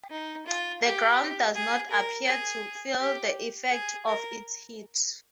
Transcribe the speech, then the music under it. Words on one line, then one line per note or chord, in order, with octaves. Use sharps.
The ground does not appear to feel the effect of its heat.
D#4
F4
G4
G#4
A#4
G#4
G4
G#4
A#4